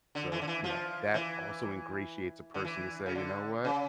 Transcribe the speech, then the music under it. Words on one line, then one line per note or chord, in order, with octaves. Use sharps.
So, you know, that also ingratiates a person to say, you know what?
D3
E3
D3
E3
F3
E3
D3
E3
C#3
D3
C#3